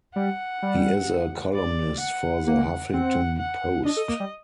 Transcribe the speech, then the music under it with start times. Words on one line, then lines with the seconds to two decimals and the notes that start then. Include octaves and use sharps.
He is a columnist for "The Huffington Post".
0.15 G3 F#5
0.62 G3
1.54 D5
2.01 F#5
2.46 A#3 F#5
2.92 C4 F#5
3.39 F#5
3.85 D4 D#5
3.97 A4
4.09 A#3
4.20 G3